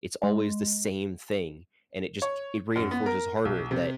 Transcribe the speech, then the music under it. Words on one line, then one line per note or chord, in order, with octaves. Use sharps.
It's always the same thing, and it just ch it reinforces harder that
G#3
C#5
F#2
B3
A#4
B1
C3